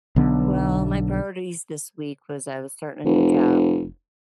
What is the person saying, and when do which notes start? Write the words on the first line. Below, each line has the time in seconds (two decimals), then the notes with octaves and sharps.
Well, my priorities this week was, I was starting a new job,
0.16 B1 D3 B3
3.05 F1